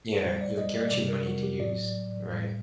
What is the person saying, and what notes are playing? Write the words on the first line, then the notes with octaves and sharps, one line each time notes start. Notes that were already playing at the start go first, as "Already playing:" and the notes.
Yeah. You have a guaranteed money to use. Right?
A#2 G3 C5
D5
D#5
D5
C3 G3 D5
A#4
F#4
G4
A2 F#3 D5
A2 G3